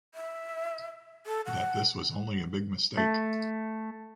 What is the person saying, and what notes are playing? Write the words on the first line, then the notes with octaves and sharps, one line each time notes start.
That this was only a big mistake.
E5
A4
F#5
A3